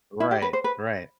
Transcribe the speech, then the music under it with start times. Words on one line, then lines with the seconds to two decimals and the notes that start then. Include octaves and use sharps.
Right, right,
0.20 E4
0.31 G4
0.42 B4
0.53 C5
0.64 B4